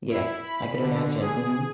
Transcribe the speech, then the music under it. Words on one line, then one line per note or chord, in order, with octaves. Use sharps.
Yeah, I could imagine. Mhm.
E4
B5
D3
G#4